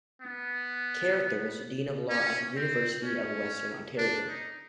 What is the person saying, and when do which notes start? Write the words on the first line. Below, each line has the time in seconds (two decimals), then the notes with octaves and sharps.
Carrothers, Dean of law at the University of Western Ontario.
0.21 B3
2.10 C#4
2.56 C4
3.03 C#4
3.98 D4
4.28 D#4